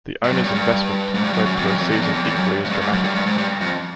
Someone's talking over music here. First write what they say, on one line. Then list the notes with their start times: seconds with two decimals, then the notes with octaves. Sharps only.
The owners' investment led to a season equally as dramatic.
0.23 G2
0.32 F#2
0.44 G2
0.54 G2
1.14 G#2
1.24 G2
1.33 F#2
1.45 F#2
1.56 F2
1.67 F#2
1.78 F2
1.91 E2
2.02 F2
2.13 E2
2.24 F2
2.35 F#2
2.64 G#2
2.69 G2
2.81 G#2
2.92 F#2
3.04 G2
3.15 G2
3.26 G#2
3.38 G2
3.60 F2